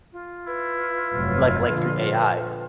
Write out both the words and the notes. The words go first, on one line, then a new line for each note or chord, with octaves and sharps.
Like like, through AI.
F4
E4 B4
F1 G2 F#3
A#2 D3 F3 B4